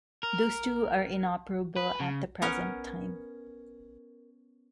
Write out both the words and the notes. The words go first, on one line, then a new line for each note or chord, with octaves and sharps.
Those two are inoperable at the present time.
A#4
B4
C#3
B3 C#4 A#4